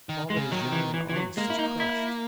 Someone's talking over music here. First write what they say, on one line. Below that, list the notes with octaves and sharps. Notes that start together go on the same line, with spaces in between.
All that is young and honest is crushed!
D#3
G#3
C#3
D#3 F#3
E3
E3
E3
F#3
G#3 A#3
E4
D#4
E4